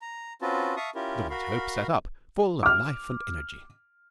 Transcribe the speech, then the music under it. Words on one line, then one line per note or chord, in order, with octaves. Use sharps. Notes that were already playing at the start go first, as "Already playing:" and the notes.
The White Hope sat up, full of life and energy.
A#5
C4 C#4 F4 F#4 B4 A5
E5 F5 A5 C#6 D#6
C#4 E4 F4 G4 A#4
F#4 A#4 F5 B5
D6 F6